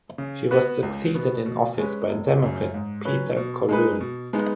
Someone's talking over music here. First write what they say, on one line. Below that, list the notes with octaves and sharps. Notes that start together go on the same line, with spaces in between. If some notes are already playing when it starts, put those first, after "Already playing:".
She was succeeded in office by Democrat Peter Corroon.
C#3
B3 F#4 B4
C#2
B2 B3
B2
G#3 C#4 B4
F#1
F#2 C#3
G#2
F#3 C#4 B4
B2
G#3 D#4 G#4 B4
B2
G#3 B3 D#4